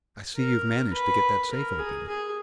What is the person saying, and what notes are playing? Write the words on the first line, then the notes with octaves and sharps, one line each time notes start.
I see you've managed to get that safe open.
A#4
B4
A#4
G#4
G#4